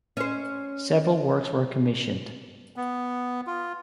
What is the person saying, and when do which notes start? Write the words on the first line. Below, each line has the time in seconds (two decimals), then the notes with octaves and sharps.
Several works were commissioned.
0.17 C#4 C5
2.76 B3
3.47 F4